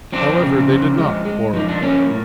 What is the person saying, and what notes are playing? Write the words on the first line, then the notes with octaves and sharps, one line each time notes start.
However, they did not quarrel.
F3 C4 D4
C#3
F3
G#3
G#3
F3 D#4
D4
A#3 C#4
A2